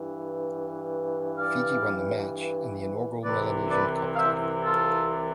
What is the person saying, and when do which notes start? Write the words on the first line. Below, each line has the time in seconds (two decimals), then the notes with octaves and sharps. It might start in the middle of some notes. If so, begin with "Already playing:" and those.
Fiji won the match and the inaugural Melanesian Cup title.
Already playing: G2 E3
1.38 D5 F5
3.24 C2 C3 E3 B4 D5
3.71 B4 D5
4.13 F5
4.17 C5 E5
4.64 F4 A4